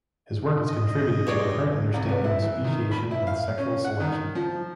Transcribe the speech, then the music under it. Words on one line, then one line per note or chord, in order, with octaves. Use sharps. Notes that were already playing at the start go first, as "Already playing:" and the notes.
His work has contributed to our current understanding of Speciation and Sexual selection.
D#5
G2 G#4 C#5 D5
C2
B3
E4
E3
D#3
B5
E4
F5
C#4
F#5
D#3
F3